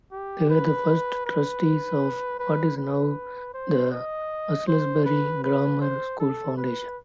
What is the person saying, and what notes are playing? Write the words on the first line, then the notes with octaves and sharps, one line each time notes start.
They were the first trustees of what is now the Aylesbury Grammar School Foundation.
G4
B4
B4
B4
B4
C5
D#5
C5
B4
B4
C5
A4
B4